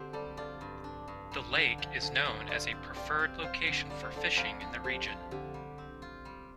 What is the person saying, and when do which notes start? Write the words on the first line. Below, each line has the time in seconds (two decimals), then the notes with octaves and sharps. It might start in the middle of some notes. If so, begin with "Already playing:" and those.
The lake is known as a preferred location for fishing in the region.
Already playing: D3 C4 G4 C5
0.13 G3 A4 D5
0.37 F4 A4 D5
0.61 G2
0.84 D4
1.08 G2
1.32 G3
1.55 D3 A4
1.78 F3
2.02 D3 A4
2.25 G2
2.48 F4 A4 D5
2.72 C4
2.96 F4 D5 G5
3.19 C4
3.43 F4 C5 F5
3.67 D3
3.90 G3 D5
4.03 C5
4.14 D3 A4 D5
4.37 F2 C5 F5
4.61 D4
4.84 F3 G4 C5
5.08 F4
5.31 D3 G4
5.54 G3
5.78 C4
6.02 F4
6.25 G3